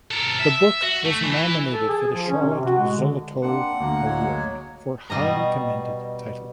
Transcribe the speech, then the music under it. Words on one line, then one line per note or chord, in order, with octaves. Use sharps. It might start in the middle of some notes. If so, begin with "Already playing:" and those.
The book was nominated for the Charlotte Zolotow Award for Highly Commended Title.
A4 A#4
E5
F#4
A3
E3
A4
G#4
F3
C#4
C3
C3
F#4
G#3
D3
A#3 C4 D4 F#5
D2 A3 A#3
F#3 G#3 C#5
B2 G3 D#5 A#5